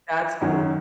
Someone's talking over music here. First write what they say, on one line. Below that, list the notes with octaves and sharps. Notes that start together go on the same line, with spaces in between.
That's cool.
F#2 D#3 F#3 C#4